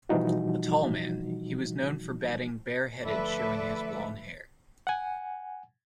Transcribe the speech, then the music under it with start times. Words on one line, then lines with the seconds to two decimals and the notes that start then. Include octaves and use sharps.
A tall man, he was known for batting bare-headed showing his blonde hair.
0.09 B2 E3 F3 G3 D#4 F#4
3.02 D2 F3 A4 B4 D5 E5
4.87 F#5 G#5